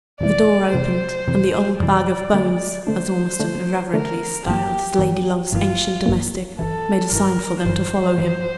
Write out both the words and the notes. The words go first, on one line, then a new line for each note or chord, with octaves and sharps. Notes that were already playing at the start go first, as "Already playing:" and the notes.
The door opened, and the "old bag of bones," as Ormiston irreverently styled his lady-love's ancient domestic, made a sign for them to follow him.
F2 C3 E3 D5
F2 C3 E3 C5
F2 C3 E3
F2 C3 E3 D5
D3 A3 D4
D3 A3 D4 C5
D3 A3 D4
D3 A3 D4 A#4
G1 G2 E3 A#3 G4
G1 G2 E3 A#3
G1 G2 E3 A#3 F4
G1 G2 E3 A#3
G1 G2 E3 A4
G1 G2 E3 A#4
G1 G2 E3 C5
G1 G2 E3